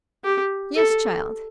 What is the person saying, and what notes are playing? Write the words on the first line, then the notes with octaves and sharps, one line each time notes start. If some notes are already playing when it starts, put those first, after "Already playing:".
Yes, child.
G4
A4